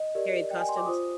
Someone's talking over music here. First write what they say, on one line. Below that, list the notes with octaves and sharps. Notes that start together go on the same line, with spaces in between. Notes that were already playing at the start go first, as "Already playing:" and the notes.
period costumes?
Already playing: D#5
G4 A#4 D5
G5
G#5
C6
D6
F4 C5 D#6